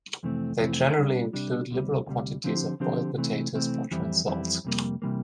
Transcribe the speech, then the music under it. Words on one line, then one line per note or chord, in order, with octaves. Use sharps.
They generally include liberal quantities of boiled potatoes, butter and salt.
F2 C3 E3 A3 C4
F2 C3 E3 A3 C4
C3 G3 D4
C3 G3 D4
D2 C3 G3
D2 C3 G3
D3 F3 C4 G4 C5
D3 F3 C4 G4 C5
C3 E3 A3 C4
C3 E3 A3 C4
F2 E3 G3 C4 E4
F2 E3 G3 C4 E4
F2 C3 E3 G3 A#3
C3 E3 G3 A#3